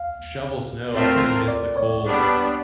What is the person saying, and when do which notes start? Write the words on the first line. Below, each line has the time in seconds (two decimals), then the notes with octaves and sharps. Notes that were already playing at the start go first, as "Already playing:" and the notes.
shovel snow, I kinda miss the cold.
Already playing: F5
0.92 A3 C4 F4 A#4
1.48 D5
1.77 C#5
2.04 G3 B3 D4